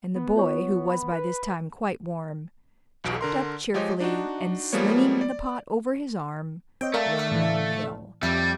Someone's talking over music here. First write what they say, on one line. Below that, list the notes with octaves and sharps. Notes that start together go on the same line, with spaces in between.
And the boy, who was by this time quite warm, jumped up cheerfully, and slinging the pot over his arm, ran down the hill.
B3
F4 C#5 C#6
B5
B4
B1 E2 B2 D7
D3 A#4 C6
F3 G#3 G4 C#5 D#5
D4 D#4 F#4
F3 G3 G#3 A#3 B3 C#5
D5
C4 C#5 D#5 G5
A3 A#4 D5 F5 A5
E5
A2 E3
F2 G3 E5